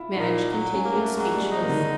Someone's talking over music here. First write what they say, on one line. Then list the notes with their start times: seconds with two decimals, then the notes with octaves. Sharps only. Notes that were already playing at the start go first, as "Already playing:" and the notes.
Madge continued speechless.
Already playing: E4 F4
0.12 D4
0.17 A#2 D#4
0.51 F#3
0.73 C#4
0.84 A#3
0.95 A3
1.17 F#3 G#3
1.34 G3
1.39 G#3
1.51 D#4
1.62 D#3
1.69 D3
1.77 D#3